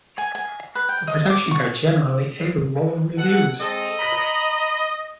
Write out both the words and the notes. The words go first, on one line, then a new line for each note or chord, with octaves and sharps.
The production got generally favorable reviews.
G#5
G#5
B4
G5
D#5
D6
C#6
B2 A4 F#5
G#3 C4 A4 D#5
A#5 B5